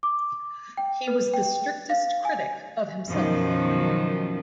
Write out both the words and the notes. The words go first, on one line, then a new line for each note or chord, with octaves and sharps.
He was the strictest critic of himself.
D6
G5
B4
G5
F5
G#5
F#2 B2 D#3 F3